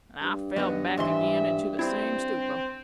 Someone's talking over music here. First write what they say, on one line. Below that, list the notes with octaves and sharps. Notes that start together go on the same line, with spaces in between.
I fell back again into the same stupor.
G2
F#2 B3 D#4
G#2 E3 E5 C6
C4 D4 E4